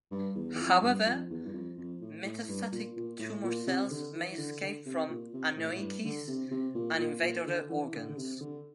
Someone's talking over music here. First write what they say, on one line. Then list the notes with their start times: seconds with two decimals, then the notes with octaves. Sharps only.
However, metastatic tumor cells may escape from anoikis and invade other organs.
0.11 G2
0.35 E2
0.54 E2
0.59 F2
0.83 G2
1.06 F2
1.30 E2
1.46 G2
1.53 F2
1.78 F2
2.01 A2
2.25 A2
2.48 G2
2.72 A#2
2.96 A#2
3.19 A2
3.43 A#2
3.67 C3
3.90 D3
4.15 E3
4.38 D3
4.62 D3
4.86 C3
5.09 A#2
5.33 C3
5.56 A2
5.71 A2
5.80 G2
6.04 D3
6.28 C3
6.51 C3
6.75 A#2
6.98 A#2
7.22 A#2
7.46 D3
7.69 E3
7.93 D3
8.09 D3
8.17 C3
8.40 D3